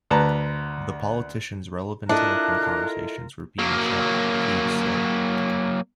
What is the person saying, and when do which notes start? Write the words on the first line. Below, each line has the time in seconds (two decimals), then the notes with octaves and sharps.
The politician's relevant telephone conversations were being checked, Hughes said.
0.11 D2 B4 A5 A#5
2.09 D4 E4 F4 A4 A#4 D#5 F#6
3.59 F#3 A#3